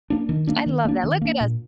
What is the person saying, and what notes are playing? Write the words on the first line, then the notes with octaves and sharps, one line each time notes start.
I love that. Look at us.
A#3 D4
D#3
A#3 D4
D#3
A#3 D4
D#3
A#3 D4
A#2